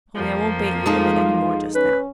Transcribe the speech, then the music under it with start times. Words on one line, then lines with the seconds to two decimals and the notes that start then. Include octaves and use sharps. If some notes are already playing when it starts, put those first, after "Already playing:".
Only I won't bait you with it any more just now.
0.16 F2 F3 A#3
0.86 G#3 D#4 F4 A4
1.75 C#4 B4